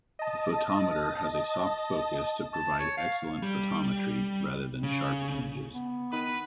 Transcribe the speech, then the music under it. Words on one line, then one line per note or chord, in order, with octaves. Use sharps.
The photometer has a soft focus to provide excellent photometry, rather than sharp images.
D#5 A5
A5
C#5
F5
G3
C#3
B3
D#3 B4 B5 D#7